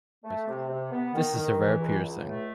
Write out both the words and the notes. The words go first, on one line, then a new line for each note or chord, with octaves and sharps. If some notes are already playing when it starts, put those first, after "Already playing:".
This is a rare piercing.
A3
C3
C3
B3
D#3
D#3
E3
C#2
C#2
A3